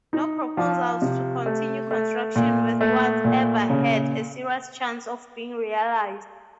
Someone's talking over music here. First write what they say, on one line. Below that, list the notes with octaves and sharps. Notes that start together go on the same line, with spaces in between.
No proposals to continue construction westwards ever had a serious chance of being realised.
D#4
F3
C3
A3
A3
A#2
A3
A#2
C#3